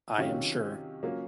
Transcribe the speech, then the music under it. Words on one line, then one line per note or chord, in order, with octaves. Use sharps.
I am sure.
C3 D#3 F#3 C#4 F4
F#3 A#3 C#4 F4